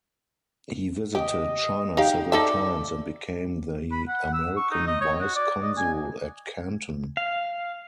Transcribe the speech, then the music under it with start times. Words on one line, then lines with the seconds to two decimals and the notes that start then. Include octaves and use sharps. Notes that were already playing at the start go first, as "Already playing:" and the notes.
He visited China several times and became the American vice consul at Canton.
1.15 G4 D#5
1.97 D#4 G4 F5 G5
2.32 D#4 A4 D5 E5
3.92 B5
4.08 F#5
4.33 E6
4.57 C#6
4.71 D#4
4.87 D#5
5.01 C#5
5.20 F#4
5.36 D5
5.62 D#5
5.77 G#5
7.17 F5